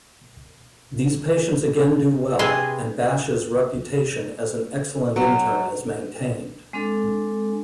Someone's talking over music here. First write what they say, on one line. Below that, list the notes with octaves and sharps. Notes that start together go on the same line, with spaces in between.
These patients again do well, and Basch's reputation as an excellent intern is maintained.
C3 G#4 B4 C6
F#3
G#3 C4 D4 A4